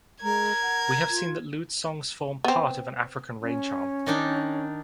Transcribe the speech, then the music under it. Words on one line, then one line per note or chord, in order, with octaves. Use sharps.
We have seen that lewd songs form part of an African rain charm.
G#3 A#4 G#6
F#5
F4
B3 C4
C#4
D#3 D4 D#4